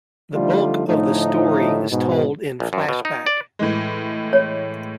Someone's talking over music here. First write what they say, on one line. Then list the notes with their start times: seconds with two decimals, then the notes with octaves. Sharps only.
The bulk of the story is told in flashback.
0.33 D3 F3 G3 A3 D#4 F4
0.87 A2 D3 F3 A3 D#4
1.90 G#2 B2
2.60 A#1
2.73 F#2
2.89 B2
3.05 D#4
3.26 D5
3.59 A2 E3 G#3
4.33 C#5